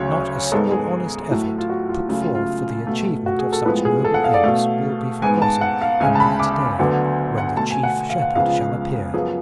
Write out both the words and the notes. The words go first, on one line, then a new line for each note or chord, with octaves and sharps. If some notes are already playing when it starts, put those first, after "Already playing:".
Not a single honest effort put forth for the achievement of such noble ends will be forgotten in that day "when the Chief Shepherd shall appear."
Already playing: D2 C#3 F#3 C#5
G#2 G#3 B3 A4
G#4
A2 F#3 A3
F4
F#4
F4
C#2 C#3 F#3 A3 F4
F4
F4
B2 A3
F#4
G#4
A4
A2 F3 G#3 B3 B4
G#4
A4
F#5
F5
D5
B2 A3 F5
G#2 G#3 B3 G#5
A5
F#5
F5
D2 C#3 G#3 G#5
A5
B5
D6
D2 D3 F#3 B3
F#5
B2 A3 A5
G#5
F#5
F5
F#5
C#2 C#3 F3 G#3 B3 F5
F#2 F3 B3 G#4